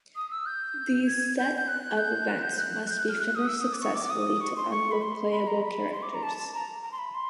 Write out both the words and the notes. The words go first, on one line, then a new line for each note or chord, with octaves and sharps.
These set of events must be finished successfully to unlock playable characters.
D#6
E6
G6
G#6
G6
G6
F#6
G6
F#6
G6
F#6
G6
F#6
F6
F#6
D#6
E6
D#6
D6
C#6
D6
D#6
C#6
C6
C#6
B5
C6
B5
A#5
B5
C6
D6
A#5
A5
A5
A#5
A#5
C6
B5
C6